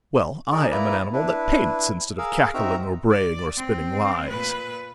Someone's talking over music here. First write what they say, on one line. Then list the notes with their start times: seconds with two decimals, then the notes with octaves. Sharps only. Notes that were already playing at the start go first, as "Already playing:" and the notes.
Well, I am an animal that paints instead of cackling, or braying, or spinning lies.
0.52 D#4 G#4 A#4 D5
0.71 A#3 E4 B4 D5 A#5
1.13 D4 E4 B4
2.18 G#4 A#4 F5 E6
2.54 C4 D#4 F#4 A#4 E5 A#5
3.11 D5
3.57 C4
4.29 A#2 B4